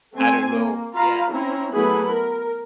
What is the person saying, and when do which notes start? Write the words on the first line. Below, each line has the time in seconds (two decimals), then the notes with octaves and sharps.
I don't know yeah.
0.14 A3 C4 G#5
0.49 A#3
0.94 F4 F5 A#5 B5
1.32 C4 C#4 E4 A#5
1.74 F#3 A3 B3 E4 G#4 B5
2.09 A#4